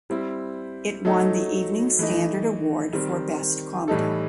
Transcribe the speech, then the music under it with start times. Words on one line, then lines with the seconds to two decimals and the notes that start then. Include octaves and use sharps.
It won the Evening Standard Award for Best Comedy.
0.10 G3 C4 E4
1.05 F#3 A3 D#4 A4
1.99 E3 A3 D#4
2.93 D#3 G3 C4
3.88 A2 E3 G3 D#4 A4